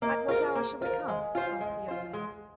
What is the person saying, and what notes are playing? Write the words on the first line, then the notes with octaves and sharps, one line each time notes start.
"At what hour shall we come?" asked the young man.
A#3 A#4 D#5
F4 G#4 A#4 C5
A#3
F4 A#4 C5 F5
G#3 D#5 G#5
F4 C5 D#5 G#5
G#3 D#5 G#5
F4 C5
G#3